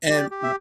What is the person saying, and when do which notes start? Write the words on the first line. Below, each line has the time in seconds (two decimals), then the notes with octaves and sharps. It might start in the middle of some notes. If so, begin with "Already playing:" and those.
and wha
0.10 G4
0.17 D5
0.31 G4
0.43 E5